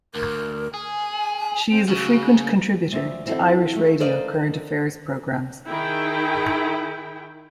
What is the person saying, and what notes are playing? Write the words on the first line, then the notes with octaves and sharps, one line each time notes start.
She is a frequent contributor to Irish radio current affairs programmes.
D2 A#4
G#4 G#5
C4
C#3 F#4
D2 F3 E5
E3 C4 E4 F#4 A4
A3
A4 A#4 C5 D5 D#5 F5
D#3 E4 G#4 G5